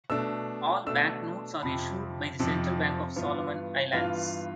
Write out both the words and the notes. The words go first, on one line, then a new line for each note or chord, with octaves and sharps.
All banknotes are issued by the Central Bank of Solomon Islands.
B2 A3 D4 E6
B2 A3 D4 E6
F2 C3 F3 C4 B5
F2 C3 F3 C4
G2 E3 B3 F4
G2 E3 B3 F4 F5